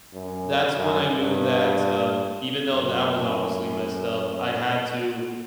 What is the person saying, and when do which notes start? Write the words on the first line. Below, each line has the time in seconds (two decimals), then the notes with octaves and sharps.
that's when I knew that, um, even though that was obviously messed up, I had to,
0.13 F#2
0.77 F#2
1.10 G2
2.71 F#2